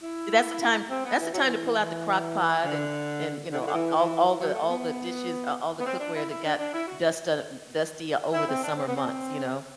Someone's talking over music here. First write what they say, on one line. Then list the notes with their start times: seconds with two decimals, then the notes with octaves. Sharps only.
See, that's the time that's the time to pull out the Crock Pot and and, you know a all all the all the dishes, uh, all the cookware that got dust on dusty over the summer months, you know.
0.02 E4
0.90 C4
1.05 B3
1.19 E3
1.33 F#3
1.46 E3
1.78 E3
2.64 D3
3.53 D3
3.59 E3
3.66 D3
3.74 E3
3.96 E3
4.28 E3
4.40 F#3
4.54 A3
4.69 B3
5.79 B3
5.86 C4
6.00 D4
6.15 E4
6.30 E4
6.44 D4
6.58 D4
6.73 E4
6.88 F#4
8.33 E4
8.48 C4
8.63 D4
8.77 C4
8.87 B3
8.96 C4